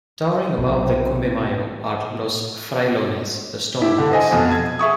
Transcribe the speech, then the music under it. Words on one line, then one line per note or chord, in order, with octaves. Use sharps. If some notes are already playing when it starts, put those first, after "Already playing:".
Towering above the Cumbe Mayo, are Los Frailones, the Stone Monks.
B1 C4
E4 G4
D3
C5 D#5 G#5
F2 B2
G#6
G#4 E5 C#6 D#6